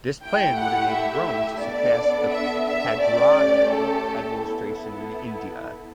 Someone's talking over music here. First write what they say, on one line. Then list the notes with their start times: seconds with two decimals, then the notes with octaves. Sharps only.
This plan would enable Rome to surpass the "Padroado" administration in India.
0.24 A3 E4 G4 G5
0.58 F#5
0.93 E5
1.62 B3 D4 A4 D5
2.32 E5
2.66 E5
3.01 A3 C#4 G4 D5
3.70 A4
4.40 B3 E4 A4